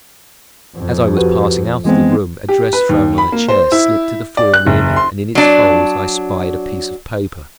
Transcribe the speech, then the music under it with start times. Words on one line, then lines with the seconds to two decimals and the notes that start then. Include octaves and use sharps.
As I was passing out of the room, a dress thrown on a chair slipped to the floor near me, and in its folds I spied a piece of paper.
0.77 F2
1.17 F#4 G4 B4
1.85 E3 G#3 B3 C4
2.49 G4
2.73 B4
2.89 D#2
3.18 B5
3.32 A#3
3.48 C5
3.72 E4
4.37 D5
4.54 F#6
4.67 F#1
4.96 C6
5.35 F#3 D4